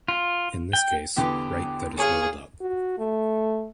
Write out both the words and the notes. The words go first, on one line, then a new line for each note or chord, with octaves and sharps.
In this case, write that is "rolled up".
F4
G5
E2 D3 B3 G4 G5 D6
G#4 C#5 F5
F#4
A3